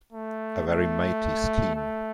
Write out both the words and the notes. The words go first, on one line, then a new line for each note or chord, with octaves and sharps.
A very matey scheme.
A3
A3
A3